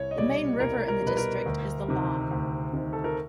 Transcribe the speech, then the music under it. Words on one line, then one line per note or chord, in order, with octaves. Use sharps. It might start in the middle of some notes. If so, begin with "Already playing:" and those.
The main river in the district is the Lahn.
Already playing: C2 C#5
D#5
B2 G3 D5
C2 A#4
A#4
B2 G3 B4
A#4
D2
C3 D#3
D2
C3 D#3
A4
A#4